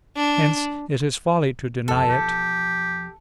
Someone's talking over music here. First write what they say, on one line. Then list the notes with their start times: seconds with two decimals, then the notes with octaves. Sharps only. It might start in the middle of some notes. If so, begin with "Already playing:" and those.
Hence it is folly to deny it.
0.16 D4
1.88 F#1 F2 A4
2.09 E1 F3 G4